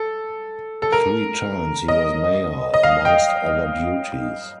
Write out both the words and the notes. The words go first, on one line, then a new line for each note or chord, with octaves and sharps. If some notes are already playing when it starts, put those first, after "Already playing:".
Three times he was mayor, amongst other duties.
Already playing: A4
A4
A#4
D#5
D#5
F5
G5